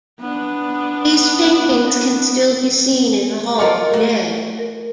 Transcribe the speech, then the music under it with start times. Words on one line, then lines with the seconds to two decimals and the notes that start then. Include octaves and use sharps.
These paintings can still be seen in the Hall today.
0.20 B3 D4
3.59 F4 A4 A#4 D#5 D6
3.93 A3 F#4
4.59 A#4